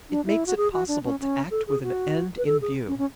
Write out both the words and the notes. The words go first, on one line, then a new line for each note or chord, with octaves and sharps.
It makes it possible to act with an end in view.
D4
E4
F#4
G#4
F#4
D4
C#4
C#4
A4
G#4
F#4
B4
A4
G#4
C#4
C#4